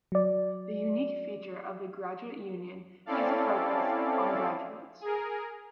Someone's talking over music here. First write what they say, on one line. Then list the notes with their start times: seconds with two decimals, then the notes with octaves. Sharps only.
The unique feature of the Graduate Union is a focus on graduates.
0.12 F#3 D5
3.06 C4 C#4 E4 A4 D5 F5
5.01 G#4 A#4